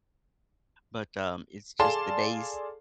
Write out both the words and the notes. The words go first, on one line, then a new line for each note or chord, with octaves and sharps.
but, um, it's just the days,
G#4 A4 D5 F5 A5 C6